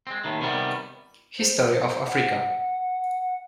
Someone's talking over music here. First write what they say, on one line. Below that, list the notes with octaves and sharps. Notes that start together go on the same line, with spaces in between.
History of Africa.
G#3 C4
D#2 A2 D#3
C3 D#3 G3 B3
C5
F#5